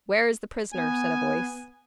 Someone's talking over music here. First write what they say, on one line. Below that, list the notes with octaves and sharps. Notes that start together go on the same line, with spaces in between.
"Where is the prisoner?" said a voice.
B3 G#5